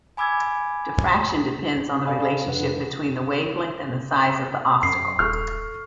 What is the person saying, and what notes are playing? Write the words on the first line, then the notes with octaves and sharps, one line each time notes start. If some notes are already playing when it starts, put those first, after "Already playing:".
Diffraction depends on the relationship between the wavelength and the size of the obstacle.
G#5 B5 D6 E6 G#6
A4 D5 F5 G#5 B5
F2 C3 D4 B4 F#5
F#2 C7
D#1 A4 C#6 F6